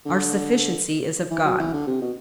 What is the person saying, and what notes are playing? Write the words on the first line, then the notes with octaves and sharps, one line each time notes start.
"Our sufficiency is of God!"
D3
E3
F#3
E3
D3
C3
B2